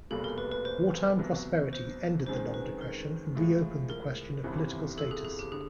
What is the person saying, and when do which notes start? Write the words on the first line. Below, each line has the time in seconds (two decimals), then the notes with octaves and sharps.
Wartime prosperity ended the long depression and reopened the question of political status.
0.10 F1 E2 B2 G3 A#3 A4
0.24 A#4
0.38 B4
0.52 B4
0.65 C5
1.19 C2 B2 F#3
1.73 C5
2.27 F#2 D#3 G#3 C4 C5
2.54 B4
2.81 A#4
3.35 A2 F3 G#3
3.90 A#4
4.43 G1 F2 C3 E3 G3
4.98 A4
5.11 G#4
5.25 G#4
5.39 G4
5.52 D3 G#4